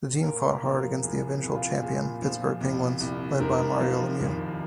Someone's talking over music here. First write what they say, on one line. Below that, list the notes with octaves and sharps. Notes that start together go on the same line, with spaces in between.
The team fought hard against the eventual champion Pittsburgh Penguins, led by Mario Lemieux.
A#2 A#4
A#4
F3
A#4
C2 G#4
G#4
C2
F4
A#2 G#4
F3
C2
C2
G#2 A#4
F3
G#1